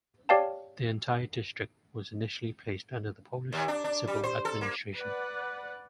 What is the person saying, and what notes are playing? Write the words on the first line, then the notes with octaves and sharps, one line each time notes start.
The entire district was initially placed under the Polish civil administration.
G4 C#5 D5 F5 G5 A5
D#2
D4
D4
G3
C5
A4
A#3
B4 D5 F#5